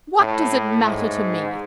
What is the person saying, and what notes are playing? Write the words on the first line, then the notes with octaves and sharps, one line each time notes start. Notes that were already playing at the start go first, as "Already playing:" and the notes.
"What does it matter to me?"
A2
G#2